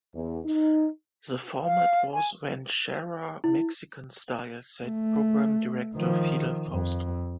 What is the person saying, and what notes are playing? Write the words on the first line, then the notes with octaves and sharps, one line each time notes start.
The format was "Ranchera Mexican style," said program director Fidel Fausto.
E2
D#4
F5
G#5
E4
A3
D#3 F3
F2